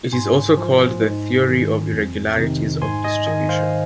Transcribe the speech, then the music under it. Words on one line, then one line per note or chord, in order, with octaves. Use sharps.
It is also called the "theory of irregularities of distribution".
G#2 G#5 C6
F3
G#2
D#3
F2
C3 D#3
G#2 G#5 C6
D#5 G#5
D#3 D#5 G#5
C5 F5